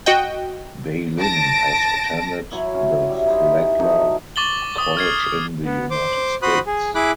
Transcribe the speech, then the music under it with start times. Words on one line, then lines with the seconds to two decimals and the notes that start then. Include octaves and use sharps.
Beilin has attended the Flagler College in the United States.
0.06 F#4 D#5 G5
1.20 A5 A#6 D7
2.51 F#3 E4 C#5 E5
2.74 C#4
3.09 G3 E5
3.25 D#4 E4 C5
3.59 E3
3.79 E3 F#3 D#4 A4
4.36 C#6 D6 A6 F#7 G7
4.78 D#6
4.97 F6 G#6 C7
5.65 B3
5.91 C5 D6
6.42 F#4 C5 B5 D#6 F#6
6.67 G#4
6.95 E4 G#4 B5 D6 F#6